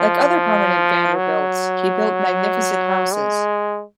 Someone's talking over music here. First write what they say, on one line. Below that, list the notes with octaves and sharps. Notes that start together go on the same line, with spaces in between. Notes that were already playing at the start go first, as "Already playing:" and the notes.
Like other prominent Vanderbilts, he built magnificent houses.
Already playing: F3
F#3
G#3